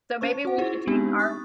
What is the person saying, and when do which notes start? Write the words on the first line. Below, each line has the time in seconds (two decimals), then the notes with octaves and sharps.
So maybe we should take our
0.21 C#4 C5 C#6
0.45 F#4 F#5
0.58 E4 F4 G#4 C5
0.87 G#3 B3 C4 D4 D#4 G4
1.19 C#6 D#6 F#6 A6